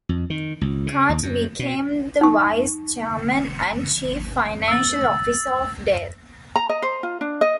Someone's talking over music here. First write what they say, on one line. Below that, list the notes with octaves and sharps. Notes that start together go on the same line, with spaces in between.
Carty became the Vice Chairman and chief financial officer of Dell.
F2
D#3
C#2
C#3
D#2
F#2
B2
D#4 C#6
E6 A6
A#5
D#5
C5
F4
D4
D#5